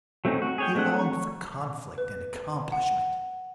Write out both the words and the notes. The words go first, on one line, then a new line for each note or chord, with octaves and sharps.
He longed for conflict and accomplishment.
F#3 A3 C4 C#4 D#4
F#4
G#4 C#5 G5
G#3 A3 C4 D4 F#5
C#6
B4
F#5